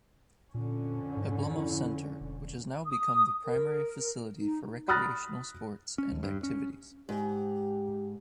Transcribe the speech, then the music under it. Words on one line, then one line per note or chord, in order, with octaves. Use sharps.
Pablumbo Center, which has now become the primary facility for recreational sports and activities.
F2 A#2 D3 C#4
G#2
E4
E1
D#6
A#4
D#4
B5 D#6 F6 F#6 A6 A#6
C#4
D#2
G2
C#4
G#2 G4